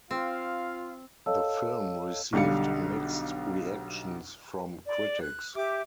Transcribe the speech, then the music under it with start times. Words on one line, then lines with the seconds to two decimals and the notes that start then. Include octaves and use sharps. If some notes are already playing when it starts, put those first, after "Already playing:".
The film received mixed reactions from critics.
0.11 C4 F4 F5
1.26 A4 C#5 D#5 F5 A5 E6
2.33 B1 D3 G3 F5 C#7
4.86 D5
5.22 F#6
5.56 G4 E5 D6